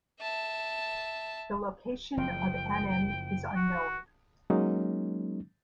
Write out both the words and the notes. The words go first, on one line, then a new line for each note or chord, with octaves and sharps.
The location of Anem is unknown.
E5 A5
F#1 F3 G5
F#4
F#3 G#3 A#3 C#4 D#4